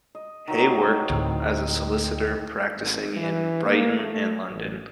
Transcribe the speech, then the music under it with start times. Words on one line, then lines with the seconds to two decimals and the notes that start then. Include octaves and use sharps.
Hay worked as a solicitor practicing in Brighton and London.
0.15 D#5
0.48 D#3 F#3
1.10 D2 A2 C4
2.76 G#1
3.17 E3
3.65 A#3
3.99 A3
4.50 A1